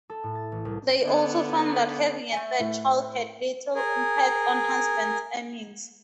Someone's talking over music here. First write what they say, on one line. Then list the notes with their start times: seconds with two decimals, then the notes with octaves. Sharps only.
They also found that having a third child had little impact on husbands' earnings.
0.10 A4
0.24 A2
0.35 A6
0.52 A1
0.65 C2
1.02 D3 B3
2.32 A3 E5 G#5
2.60 A2
3.75 G#4 A#4